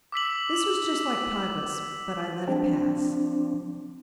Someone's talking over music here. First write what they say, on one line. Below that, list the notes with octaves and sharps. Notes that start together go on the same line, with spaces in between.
This was just like Pybus--but I let it pass.
D6 E6 B6 F#7
F3 C4 D4